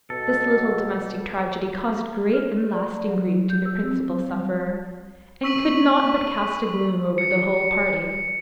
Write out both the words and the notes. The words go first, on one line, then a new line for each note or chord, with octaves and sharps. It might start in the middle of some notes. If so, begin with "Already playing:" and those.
This little domestic tragedy caused great and lasting grief to the principal sufferer, and could not but cast a gloom over the whole party.
B2 A4
F6
D5
F#3
G6
E6
C4
G3
C#6 E6 B6 D#7 F#7
C#7